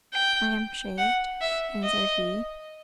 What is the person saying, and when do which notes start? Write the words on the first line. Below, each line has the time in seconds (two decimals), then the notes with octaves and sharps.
"I am shaved," answered he.
0.13 G5
0.98 F#5
1.41 E5
1.83 D#5